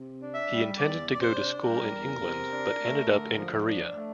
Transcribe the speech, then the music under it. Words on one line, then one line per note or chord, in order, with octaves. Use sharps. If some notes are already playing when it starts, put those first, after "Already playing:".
He intended to go to school in England but ended up in Korea.
Already playing: C3
D4
E5
G3
E2 D5
C3
D5
C5
D4
G3 A#4
E2
C3
D4
A3
D3
F3
D4
A3